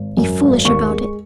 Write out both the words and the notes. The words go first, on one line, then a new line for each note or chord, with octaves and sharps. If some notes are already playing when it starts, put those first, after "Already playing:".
Be foolish about it.
Already playing: G#1
F#2
G#1
D#2 C#6
G#3